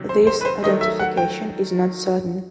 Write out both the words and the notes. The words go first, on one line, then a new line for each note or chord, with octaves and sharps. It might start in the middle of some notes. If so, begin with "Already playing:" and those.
This identification is not certain.
Already playing: C3 D#3 F#3
C5
C5
B4
C5
D#3 F#3 A3 D#5
E5
F#5
G5